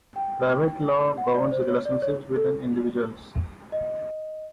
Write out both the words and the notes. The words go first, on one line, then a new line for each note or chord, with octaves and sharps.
Private law governs relationships between individuals.
G5
F#5
D5
C5
C#5
D5
C#5
A4
D#5